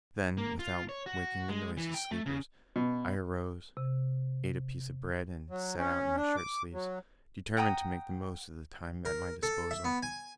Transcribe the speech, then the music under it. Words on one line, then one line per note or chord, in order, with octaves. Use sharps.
Then, without waking the noisy sleepers, I arose, ate a piece of bread, and set out in my shirt-sleeves, determined to make the most of the time at my disposal.
A#3
F4
C#5
F#4
G#3
E3
G5
A3
C#3
B2
C3
F#3
C#4
D4
D6
F#3
F#5 G5 A#5 D#6
A#4
A4
E5
B3
G#5